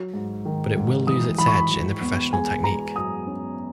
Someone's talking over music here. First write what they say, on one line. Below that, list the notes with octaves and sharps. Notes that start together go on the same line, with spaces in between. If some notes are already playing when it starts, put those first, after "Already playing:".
But it will lose it's edge in the professional technique.
Already playing: F#3
G#2
D#3
G#2
E3 D#6
E3 B5
C#6
B5
E3
E2
G#3 G#5
G#3 A#5
F#2 D#6
C#4